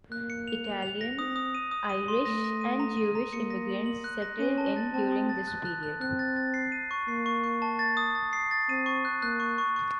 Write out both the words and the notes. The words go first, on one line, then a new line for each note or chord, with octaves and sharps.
Italian, Irish and Jewish immigrants settled in during this period.
A#3 F#6
C#7
F7
F7
F7
A#6
C4 D#6
D#6
D#7
D#6
D#7
C6
A3 A#6
A#6
D#7
A#5
D#7
A#5
A#3 C#7
A#6
F#7
F#7
F#6
A#6
C#4 D#7
A5
A6
C4 A5
D#6
A6
F#6
F#6
F#6
C4 F#6
A6
A6
C7
D#7
C#6
A#3 C7
C#6
C#6
A5
A6
D#6
A6
C7
A6
C4 D#7
C#6
F#6
A#3 F#6
C#6
C#6
C#6